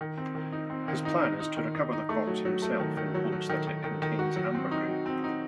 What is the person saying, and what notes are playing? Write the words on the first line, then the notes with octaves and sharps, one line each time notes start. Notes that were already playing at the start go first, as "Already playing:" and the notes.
His plan is to recover the corpse himself in hopes that it contains ambergris.
D#3
C4
D#3
D#4
C4
D#3
D#4
D#4
D#4
D#3
D#4
D#4
A3
F#3
F#3
A3
D#3
D#3
F#3
F#3
D#3
D#3
D#3
D#3
F#4
F#3
C4
D#4
F#3
C4
D#4